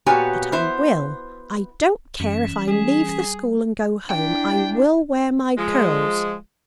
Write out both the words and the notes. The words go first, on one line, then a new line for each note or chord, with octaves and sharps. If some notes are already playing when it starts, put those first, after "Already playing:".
But I will; I don't care if I leave the school and go home, I will wear my curls!
A#2 B3 F#4 G4 C#5 G#5
B3 E4 C5
F#2 E3 C#4
G3 G#4
D4 E4 G5
F3 G#3